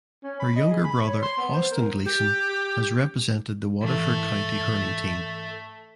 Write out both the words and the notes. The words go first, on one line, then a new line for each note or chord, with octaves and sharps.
Her younger brother Austin Gleeson has represented the Waterford county hurling team.
C#4
B5
D#5
G#4
B5
C#5
C6
B3
C5
A#4
G4
G#2 E3 A3